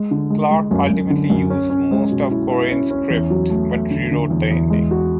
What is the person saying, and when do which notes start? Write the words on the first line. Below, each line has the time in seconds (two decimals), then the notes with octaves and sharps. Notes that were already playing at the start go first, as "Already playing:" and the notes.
Clark ultimately used most of Korine's script, but rewrote the ending.
Already playing: G#3
0.11 D3
0.30 G#3
0.50 G#3
0.71 F#2
0.90 F#2
1.10 D3
1.30 F#2
1.50 C#4
1.70 C#4
1.91 G#3
2.11 B2
2.31 E4
2.50 E4
2.71 C#4
2.90 C#4
3.10 E2
3.30 F#3
3.50 A3
3.70 A3
3.91 D3
4.11 D3
4.30 E2
4.51 E2
4.70 G#3
4.91 F#4